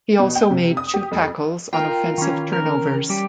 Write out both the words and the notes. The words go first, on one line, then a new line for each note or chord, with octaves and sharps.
He also made two tackles on offensive turnovers.
B2
G5
C3
D#6
G4
F2
F4 A#4 G5
D#3 E3 C#4
A#4
G3 G4